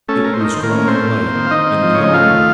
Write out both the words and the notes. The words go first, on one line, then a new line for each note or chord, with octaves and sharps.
It was growing late in the autumn.
A3 C#4 A4
A3 A#4
C5
D#4 A#4
D#3 C5
A#3 A#4
C#4
A3 C4 C5
A2
A#3
D#3
F5
D#3 D#4 D#5
C4
F3
C#3 C#5
D#5
A3 F4 F5
D#3